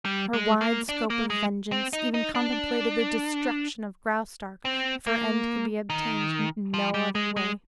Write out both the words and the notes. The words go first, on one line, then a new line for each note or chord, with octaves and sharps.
Her wide scope of vengeance even contemplated the destruction of Graustark if her end could be obtained in no other way.
G3
G#3
A#3
D4
A#3
G#3
C4
D#4
D#4
D4
C4
A#3
D#3
F3
G3
G#3
G#3